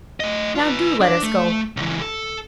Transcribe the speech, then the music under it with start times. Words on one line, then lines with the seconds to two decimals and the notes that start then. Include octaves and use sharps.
Now DO let us go.
0.20 A3 D#5
0.55 F4 B4
1.01 D4
1.23 A3
1.77 C#2 E3
2.01 A4